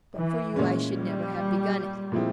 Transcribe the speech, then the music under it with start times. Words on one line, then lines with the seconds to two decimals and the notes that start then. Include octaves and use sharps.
But for you I should never have begun it.
0.17 E3
0.56 A#2 G#3 C#4
0.95 G3
2.12 A#2 F3 G#3 C4 E4